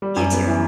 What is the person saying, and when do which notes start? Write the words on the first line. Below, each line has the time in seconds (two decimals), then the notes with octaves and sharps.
You too.
0.02 G3
0.16 F#2
0.32 B3
0.47 E3